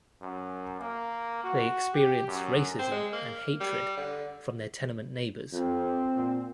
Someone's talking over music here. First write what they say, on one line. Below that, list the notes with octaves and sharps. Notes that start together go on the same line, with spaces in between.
They experience racism and hatred from their tenement neighbors.
F#2
A#3
F#4
G4
F#2
C4
G#3
A#3
G3
D3
F2 C4
A#2